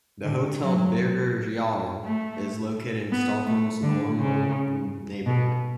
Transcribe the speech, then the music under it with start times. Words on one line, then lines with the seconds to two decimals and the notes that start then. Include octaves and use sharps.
The Hotel Birger Jarl is located in Stockholm's Norrmalm neighborhood.
0.24 D3
0.61 F#3
2.05 A3
3.12 B3
3.47 A3
3.83 D3
4.19 C#3
5.26 B2